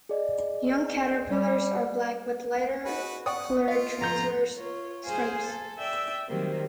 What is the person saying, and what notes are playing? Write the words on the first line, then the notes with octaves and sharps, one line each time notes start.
Young caterpillars are black with lighter colored transverse stripes.
G#4 D5 D#5
G3
D#4 F#4 G#4 B4
B3 D5 F#5 G5 C#6 D#6
F4 D#5 F5
F2 A#5 G6
F4 C#5
G#4 C5 F5 G#5
A4
D5 E5 G5 E6
D#3 F#3 G3 A#3 C4